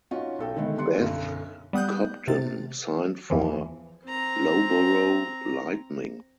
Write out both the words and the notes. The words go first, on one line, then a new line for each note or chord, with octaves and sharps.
Beth Cobden signed for Loughborough Lightning.
C#4 D#4 F4 F#4
B1 A4 G5
D3 D#3 G#3 A3 B3
G3 B3 D4 C6 F#6 C#7
B1 F#2 D3
G3 B3 D#6 F#6 G6
C3 A6
E2 E3 F3
C4 A#5